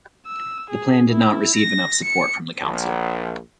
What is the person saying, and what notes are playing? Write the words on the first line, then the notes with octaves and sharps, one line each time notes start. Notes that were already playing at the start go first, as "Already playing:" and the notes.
The plan did not receive enough support from the council.
E6
G#4
E4
A#6
C#7
A#1